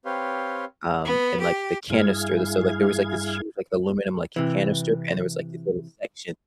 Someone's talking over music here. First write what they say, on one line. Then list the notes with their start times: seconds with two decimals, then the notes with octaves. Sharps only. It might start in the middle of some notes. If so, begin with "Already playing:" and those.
um, in, like, the canister, the so like, there was, like, this huge, like, aluminum like canister, and there was, like, these little sections.
0.05 C4 G4 B4 C#5 F5 C6
1.05 B3
1.42 G4
1.90 G2 E4 G#4 F5 G#6
4.36 C3 E3